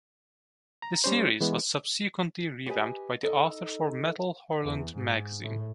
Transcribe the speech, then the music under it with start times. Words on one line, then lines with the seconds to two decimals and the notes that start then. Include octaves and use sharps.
The series was subsequently revamped by the author for "Metal Hurlant" magazine.
0.82 A#5
1.04 G3 C#4 C5
1.41 E3 G#3 B3
2.66 G4 B4 C#5 D#5 G#5
3.22 D#4 A4 D#5
4.62 E2
4.95 G#2
5.43 A2